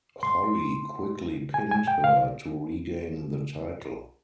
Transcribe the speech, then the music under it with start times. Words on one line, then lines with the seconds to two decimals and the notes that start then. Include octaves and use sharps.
Holly quickly pinned her to regain the title.
0.23 C6
1.54 G#5
1.71 G#5
1.88 G5
2.04 F5